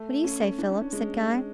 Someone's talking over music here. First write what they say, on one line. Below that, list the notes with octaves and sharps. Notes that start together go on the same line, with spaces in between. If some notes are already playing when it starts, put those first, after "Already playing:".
'What do you say, Philip?' said Guy.
Already playing: A3
C#4
D4
C#4
C#4
G#3